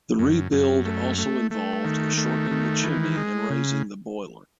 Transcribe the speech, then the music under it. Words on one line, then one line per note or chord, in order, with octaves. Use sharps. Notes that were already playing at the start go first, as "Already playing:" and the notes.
The rebuild also involved shortening the chimney and raising the boiler.
F#2
F#2
A3
A3
A3
D#3
A3
D#3
E3
G#3
C#3